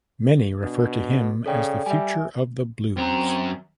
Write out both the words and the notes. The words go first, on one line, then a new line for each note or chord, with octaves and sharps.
Many refer to him as the future of the blues.
B2 D4
C#3 A4 D5 G5
G3 E5 G#5
F#2 C4 A#5